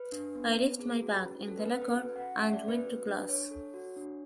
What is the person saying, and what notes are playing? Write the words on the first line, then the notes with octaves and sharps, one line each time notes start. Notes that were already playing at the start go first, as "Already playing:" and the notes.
I left my bag in the locker and went to class.
Already playing: B4
D4
B3
B3
G#4
F#4
C#4
C#4 A4
B4
A4 B4
B4
F#4
C#4 F#5
C#4 E5
D5
A4
B4
F#4
D4
D4 C#5
A4
F#4
D4